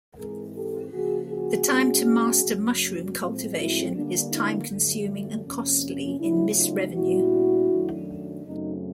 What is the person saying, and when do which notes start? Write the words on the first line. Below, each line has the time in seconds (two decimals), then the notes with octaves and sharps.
The time to master mushroom cultivation is time consuming and costly in missed revenue.
0.17 G#2 E3 G#3 C4 G#4 A#4
0.55 G4 A4
0.92 C#3 F3 A#3 F#4 G#4
1.30 F#4 G#4
1.67 B2 G#3 C#4
2.43 F#2 C#3 F#3 A#3
3.18 A2 F3 G#3 C4
3.56 E4 F#4
3.94 D3 G3 A#3 D4
4.30 D4 E4
4.68 G2 D3 F#3 A3
5.44 F2 C3 F3 A#3 C#4
6.19 C#3 F#3 A3 D4 E4
6.56 D#4 F4
6.93 A#2 G3 B3 D4 E4 F#4
7.69 F#2 D#3 F#3 A3 D4
8.45 F#2 C#3 F#3 A3 C4 D#4